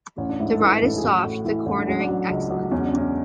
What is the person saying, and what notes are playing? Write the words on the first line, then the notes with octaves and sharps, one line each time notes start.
The ride is soft, the cornering excellent.
A1 C#4
D4
G#2 E4
A4
E3 B4
B4
A1 A4
A4
G#4
A1 F#4
A2
E3 E4
A1 E4
D4
F#3 C#4
D4
F#3
C#2
F#3
E2 C#4
D4
E2 C#4